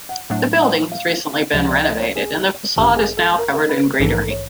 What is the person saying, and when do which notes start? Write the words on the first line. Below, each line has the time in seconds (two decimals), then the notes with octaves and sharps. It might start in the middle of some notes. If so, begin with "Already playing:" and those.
The building has recently been renovated and the facade is now covered in greenery.
0.09 F#5
0.30 A2 F#3 A3 D4 F#5
0.61 F#5
0.92 F5
1.53 C#2 C3 F3 D#5
1.69 D5
1.85 D#5
2.00 C#5
2.15 G#4
2.76 A1 G2 D#3 G4
2.97 G#4
3.17 A4
3.38 A#4
3.54 A#4
3.69 B4
4.00 A#1 G#2 E3 A4
4.10 A#4
4.20 A4
4.30 C#5